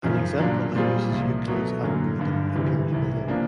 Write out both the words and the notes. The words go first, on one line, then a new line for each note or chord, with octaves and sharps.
An example that uses Euclid's algorithm appears below.
G#1 F#2 C#3 F3
A#2 F#3 A#3 D4
A#2 G3 C4 F4 G#4
C2 A#2 F3
B2 F#3 A3
F#2 D3 F#3 A#3
G1 G2 D3
D2 C3 E3 G3
C2 C3 E3
C#3 F3 A#3 D4